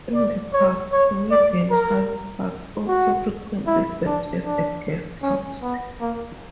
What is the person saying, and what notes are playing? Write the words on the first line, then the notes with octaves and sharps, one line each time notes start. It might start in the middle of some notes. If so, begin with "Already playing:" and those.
In the past, Comedian Hal Sparks also frequently served as a guest host.
D5
C#5
C#5
D5
A#4
F#4
E4
D4
D4
C#4
B3
A#3